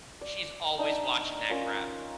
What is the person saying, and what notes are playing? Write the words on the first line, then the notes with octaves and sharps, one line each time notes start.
she's always watching that crap.
D5
D4 D#4 E5
C#4 F4 A#4